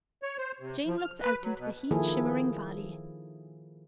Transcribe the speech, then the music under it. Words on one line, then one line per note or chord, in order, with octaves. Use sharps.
Jane looked out into the heat-shimmering valley.
C#5
C5
C3
F3
F6
B4
F#3
B2
D#3 F3 A#3 E4 G#4 A4